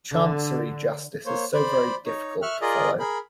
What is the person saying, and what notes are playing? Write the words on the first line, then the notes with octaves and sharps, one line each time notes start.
Chancery justice is so very difficult to follow.
D3
A#3 C5 C#5
C5 D5 B5
D#4 C#5
E5 C#6 F6 F#6
F4 G#4 A#4 D5 D#5
G#4 A#4 B5